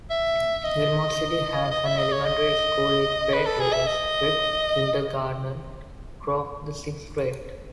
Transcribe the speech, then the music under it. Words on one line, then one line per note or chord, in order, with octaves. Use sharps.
Gilmore City has an elementary school with grade levels prep-kindergarten through the sixth grade.
E5
D#5
D#5
E5
D#5
C#5
D#5
B4
A4
G#4
E5
D#5